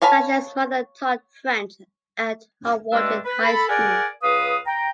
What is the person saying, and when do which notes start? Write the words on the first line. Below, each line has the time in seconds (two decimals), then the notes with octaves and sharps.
Sasha's mother taught French at Hawarden High School.
0.02 C#5 F5 G#5 A5 B5
2.92 G2 G#3 A3 D4 E6
3.24 B4
3.44 A4 B5
3.68 G#4 A#4 D5 F#5 G#5
4.22 C#2 B4 F5 D#6
4.66 G5 A#5